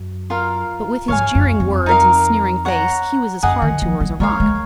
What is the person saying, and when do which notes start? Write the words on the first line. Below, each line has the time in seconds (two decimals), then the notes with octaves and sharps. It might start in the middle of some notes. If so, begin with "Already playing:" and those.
But with his jeering words, and sneering face, he was as hard to her as a rock.
Already playing: F#2
0.30 F4 A#4 F5
1.08 G#2 C#5 F5 G#5
1.35 F#2
1.60 F2
1.86 D#4 A#4 F5
2.65 C#5 F#5 A#5
3.43 F#2 G#4 D#5 F#5
3.62 D#3
3.82 F3
4.00 F#3
4.20 G#3 A#4 C#5 F5
4.40 G#3